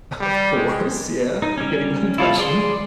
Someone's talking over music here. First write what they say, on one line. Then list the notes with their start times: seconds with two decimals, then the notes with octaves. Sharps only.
Of course. Yeah. I'm getting that impression.
0.21 G3
0.56 G#3
1.42 D#4
1.57 G3 C#4
2.18 E4 F4 A4 F5
2.38 G#4 D5 C6